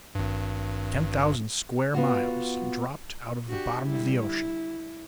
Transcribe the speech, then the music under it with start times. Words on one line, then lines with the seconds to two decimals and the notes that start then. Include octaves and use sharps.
Ten thousand square miles dropped out of the bottom of the ocean!
0.15 G#1 G2
1.94 B3 F4 F#4
3.48 D4 F#4 G4
3.87 D3 G3 E4
4.16 E4